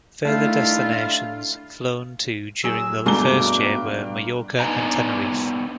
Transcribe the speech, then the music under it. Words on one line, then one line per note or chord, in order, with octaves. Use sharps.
Further destinations flown to during the first year were Majorca and Tenerife.
D#3 G3 A3 D4 E4 F4 F5
F#3 G#4 E6
G2 B2 A3 G#4 A#5 D6 G7
B3 D4 D#4 D#5 G#5 A#5